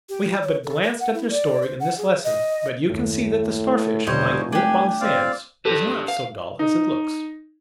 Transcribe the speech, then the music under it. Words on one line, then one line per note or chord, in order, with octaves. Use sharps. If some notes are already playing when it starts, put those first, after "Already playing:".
We have but glanced at their story in this lesson; but you can see that the Starfish, lying limp on the sands, is not so dull as it looks.
G4
C#5
A4
A#4
F#5
E4
D5
C5
F#5
G#4
D#5
F#1 D#2 A2
F1 E2 B2 D3 G3 C5 C#5 D#5
A3 D4 G4 G#5
G1 C4 D5 F5
G4 A4 B4
F5
D#4